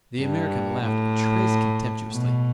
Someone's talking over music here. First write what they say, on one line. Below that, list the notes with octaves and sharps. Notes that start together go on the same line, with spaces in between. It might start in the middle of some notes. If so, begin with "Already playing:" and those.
The American laughed a trace contemptuously.
G2
A2
B2